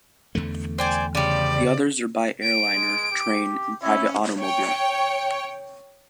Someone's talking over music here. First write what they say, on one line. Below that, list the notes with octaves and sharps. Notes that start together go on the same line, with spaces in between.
The others are by airliner, train, and private automobile.
E2 D3 A3
C5 D5 G5 G#5
C#3 F3 G3 D5
D7
G#3
G4
C#4 E4
C#5 G5